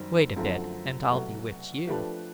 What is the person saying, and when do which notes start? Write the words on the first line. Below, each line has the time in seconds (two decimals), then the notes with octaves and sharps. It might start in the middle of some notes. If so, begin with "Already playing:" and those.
Wait a bit, and I'll bewitch you!'
Already playing: F#2 D#3 G3 C4
0.36 F#2 D3 F3 A3 C4
1.11 C2 B2 F#3 A3
1.87 F3 A3 D4 G4 B4